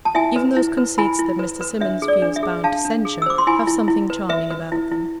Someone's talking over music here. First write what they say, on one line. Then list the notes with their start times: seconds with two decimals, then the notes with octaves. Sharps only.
Even those conceits that Mr. Symonds feels bound to censure have something charming about them.
0.05 A5
0.15 E4 E5 G#5
0.36 B4
0.56 E4
0.77 B4
0.98 E4 G#5 B5
1.19 E4
1.39 B4
1.61 B4
1.81 D4 E5
2.02 G#4
2.08 D5
2.22 D4
2.36 E5
2.43 G#4
2.64 D4 F5 A5
2.85 D4
3.05 G#4
3.22 E6
3.26 C5 D6
3.38 C6
3.47 E4 G#5 B5
3.67 E4
3.88 E4
4.10 B4
4.29 B4 E5
4.51 B4
4.72 E4
4.92 E4